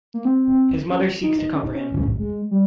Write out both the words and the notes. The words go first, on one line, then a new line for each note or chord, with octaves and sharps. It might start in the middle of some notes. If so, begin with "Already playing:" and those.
His mother seeks to comfort him.
A#3
C4
C#4
D#4
D#4
C#4
D#4
C#4
G#3
G3